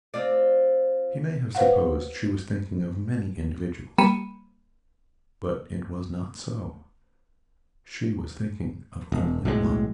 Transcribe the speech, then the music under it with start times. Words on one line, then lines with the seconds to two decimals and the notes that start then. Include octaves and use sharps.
She may have supposed she was thinking of many individuals, but it was not so--she was thinking of only one.
0.14 C4 F4 D5
1.55 B4 C5 F5 F#5
3.98 G3 A#3 B5 C#7 D#7 E7
9.12 E1
9.45 B1 A2 F#3 G#3